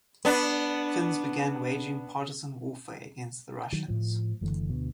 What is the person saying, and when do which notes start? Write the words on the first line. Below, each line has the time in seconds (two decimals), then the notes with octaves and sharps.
Finns began waging partisan warfare against the Russians.
0.25 B3 D4
3.73 D#3 F#3
3.88 A2 F3
4.41 F#1 D3 E3 A3
4.70 D2 B2